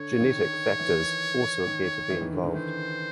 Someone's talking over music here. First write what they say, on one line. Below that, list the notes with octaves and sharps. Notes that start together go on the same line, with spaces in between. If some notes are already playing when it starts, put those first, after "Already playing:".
Genetic factors also appear to be involved.
Already playing: D3 C#5
D#3
E3
D#3
E3
D#3
D3
D#3
E3 C5